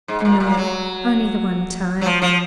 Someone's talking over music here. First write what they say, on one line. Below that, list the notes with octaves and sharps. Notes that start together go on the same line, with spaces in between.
"No, only the one time."
G#2
G#2
A#2
A#2
F#3
F#3
F3
F3